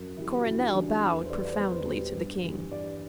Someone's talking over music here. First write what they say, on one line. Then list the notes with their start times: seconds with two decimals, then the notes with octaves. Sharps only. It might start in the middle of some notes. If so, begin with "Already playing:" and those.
Coronel bowed profoundly to the King.
Already playing: F#2
0.17 E3 G3 E4
0.37 F#4
0.46 F#2 E4
0.60 D4
0.74 E3 G3 D4
0.88 E4
1.01 E2 E4
1.12 A4
1.17 B4
1.25 C5
1.30 B2 G3 D5
1.45 D5
1.53 C5
1.59 E2 B4
1.70 C5
1.87 B2 G3
2.15 G2
2.43 E3 G3
2.71 G2 D5